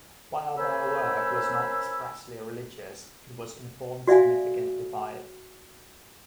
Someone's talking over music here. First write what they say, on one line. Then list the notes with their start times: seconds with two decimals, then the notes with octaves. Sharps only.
While their work was not expressly religious it was informed significantly by it.
0.57 A#3 C#4 C5 G#5 B5 E6
4.07 F#4 D5 E5 F5 G#5